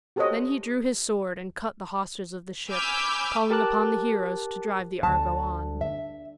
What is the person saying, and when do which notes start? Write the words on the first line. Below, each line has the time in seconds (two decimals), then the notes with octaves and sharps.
Then he drew his sword and cut the hawsers of the ship, calling upon the heroes to drive the Argo on.
0.16 F#4 G4 A4 C5 C#5 D#5
2.68 G#5 B5 D6 E6 F6 G6
3.50 G4 A#4 A5 D6 F#6
5.03 D2 A5
5.81 E5